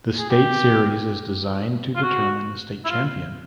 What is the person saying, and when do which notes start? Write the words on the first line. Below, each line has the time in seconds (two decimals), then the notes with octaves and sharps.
The State Series is designed to determine a State Champion.
0.18 G#4
0.30 G4
1.95 F4
2.02 F#4
2.84 E4
2.89 F4